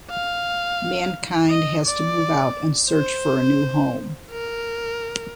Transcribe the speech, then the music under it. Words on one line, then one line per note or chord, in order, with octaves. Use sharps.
Mankind has to move out and search for a new home.
F5
D#5
D5
C5
A#4